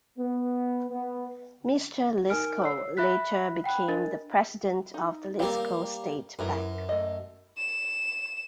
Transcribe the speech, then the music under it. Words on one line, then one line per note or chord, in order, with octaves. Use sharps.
Mr. Lisco later became the president of the Lisco State Bank.
B3
B3
D#4 A#4 G#5 F6 D7
C#5 E6 C7
E5 B5 F#6 B6
F#5 G5 B5 F#6
D4 A#4 D#5 A6
D#4
G3 A#3 C4 D5 F5
F#2 E4 A#4 B4
A3 D#5
E7